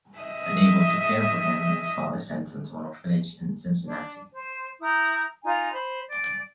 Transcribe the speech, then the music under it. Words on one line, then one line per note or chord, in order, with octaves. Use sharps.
Unable to care for him, his father sent him to an orphanage in Cincinnati.
D#5 E5
D4
C5
E4 A#5 D#6 G6
D#4 F4 G#5 A#5
C5 B5
D5